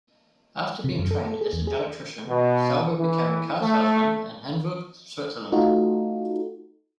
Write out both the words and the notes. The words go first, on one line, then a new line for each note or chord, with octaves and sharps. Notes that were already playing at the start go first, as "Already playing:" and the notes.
After being trained as an electrician Sauber became a car salesman in Hinwil, Switzerland.
C3
F#2
A4
A4
G#4
E2
G#4
B2
E3
A3
A3 D#4 F4 F#4 A4